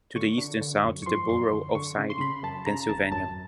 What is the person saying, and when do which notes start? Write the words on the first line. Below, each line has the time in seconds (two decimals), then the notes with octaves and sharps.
To the east and south is the borough of Sayre, Pennsylvania.
0.16 D3 C#6
0.38 D3
0.61 D3
0.83 F#2
1.03 C#6
1.06 F3 C6
1.29 F#2 C6
1.52 D3
1.75 D3 C#6
1.98 C#3
2.10 C6
2.20 C#3 B5
2.43 F#2 A5
2.66 C#3 A#5
2.89 G#1 A5
3.12 F#2 A5